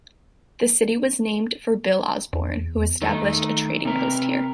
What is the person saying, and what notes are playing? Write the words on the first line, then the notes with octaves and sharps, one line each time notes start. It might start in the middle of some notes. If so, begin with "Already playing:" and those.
The city was named for Bill Osborne, who established a trading post here.
E2
D#3 A3 D#4
C3 A#4 B4